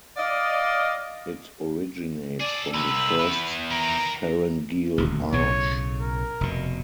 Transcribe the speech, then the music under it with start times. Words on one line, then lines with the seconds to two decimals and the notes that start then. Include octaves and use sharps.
It originates from the first pharyngeal arch.
0.17 D5 D#5 F5
2.40 G#4 A4 D5
2.74 C2 B4 E6
3.19 B3 E4
3.71 A#4 G5 A#5
4.98 D#1 D2
5.32 B1 A2 C#3 C#5
6.01 A#4
6.41 F1 B2